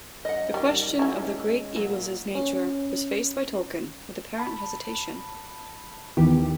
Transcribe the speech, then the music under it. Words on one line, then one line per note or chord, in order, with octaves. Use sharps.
The question of the Great Eagles' nature was faced by Tolkien with apparent hesitation.
F#2 D#5 F#5
D#3 G3
G#3 C#4 E4
A#2 F#3
C#4
A5 B5
D#2 D#3 E3 B3 G4